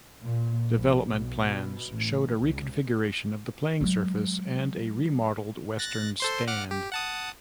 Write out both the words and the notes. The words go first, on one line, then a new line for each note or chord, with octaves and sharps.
Development plans showed a reconfiguration of the playing surface and a remodelled western stand.
A#2
A#1
B1
B2
A1
C#2
F#3 G#3
F#6 A6 A#6
A4 C5 C6
F#5 D6 F6
G4
F#5 A5 D#6